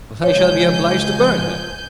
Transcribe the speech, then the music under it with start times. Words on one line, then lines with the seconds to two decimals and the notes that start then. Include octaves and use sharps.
"But I shall be obliged to burn her."
0.24 C#2 F3 C#5 G#5 G6